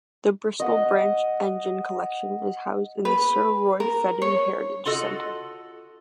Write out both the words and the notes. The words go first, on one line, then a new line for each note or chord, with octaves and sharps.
The Bristol branch engine collection is housed in the Sir Roy Fedden Heritage Centre.
D#5 F#5
B4
A#4
C#5
F4 F#4 A4 D#5